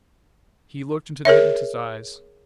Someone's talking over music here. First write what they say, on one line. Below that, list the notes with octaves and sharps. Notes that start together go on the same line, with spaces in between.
He looked into the hypnotist's eyes.
G#4 A#4 C#5 E5